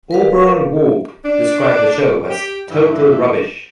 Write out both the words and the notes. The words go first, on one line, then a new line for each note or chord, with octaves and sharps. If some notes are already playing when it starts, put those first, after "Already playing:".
Auberon Waugh described the show as "total rubbish".
A#4 B4 F5
D4
G4
G2 E3